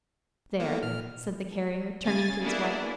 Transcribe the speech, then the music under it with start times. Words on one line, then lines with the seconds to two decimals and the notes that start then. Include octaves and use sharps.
"There!" said the Carrier, turning to his wife.
0.60 A#3 B3 A4
0.83 A#2 F6
2.04 C#3 G#5 A6
2.43 A#3 B3 D4 E4 G#4